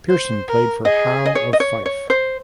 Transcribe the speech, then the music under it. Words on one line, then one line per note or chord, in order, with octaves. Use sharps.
Pearson played for Howe of Fife.
C5
A#4
G#4 D#5
D#5
C#5
D#5
C#5
C#5
C5